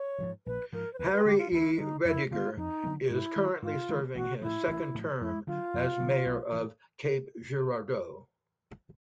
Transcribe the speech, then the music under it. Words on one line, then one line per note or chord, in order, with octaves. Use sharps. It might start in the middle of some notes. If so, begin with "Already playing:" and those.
Harry E. Rediger is currently serving his second term as Mayor of Cape Girardeau.
Already playing: C#5
G#2 F3
A#1 B4
G#2 F3 A#4
C5
D2 B4
B4
D3 G3 G4
F4
D2 E4
D3 G3 D#4
F2 E4
D3 F#3 B3 F4
F2 D#4
D3 F#3 B3
G#2 E4
D#3 G#3
G#2 F4
D#3 G#3
A1 F#4
A2 F3 E4
A1
A2 F3
F2 E4
D3 F#3 F4
F2
D3 F#3
B1
A2 E3